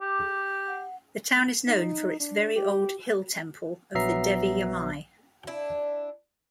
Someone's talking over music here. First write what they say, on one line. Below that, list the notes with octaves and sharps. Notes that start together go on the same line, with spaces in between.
The town is known for its very old hill temple of the Devi Yamai.
G4 D6
F#5
D#4
D4
G4
A#1 F#3 B3 E5 A#5 C7
D4 E4